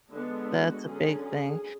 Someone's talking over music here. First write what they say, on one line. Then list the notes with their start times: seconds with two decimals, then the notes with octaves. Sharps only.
That's a big thing.
0.11 D3 G#3 B3 D4
0.48 F#4
0.84 D3 F#3 C#4 G#4
1.21 G#4